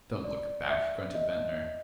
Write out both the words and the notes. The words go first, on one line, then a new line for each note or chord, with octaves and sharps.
"Don't look back," grunted Ventnor.
D5
E5
D#5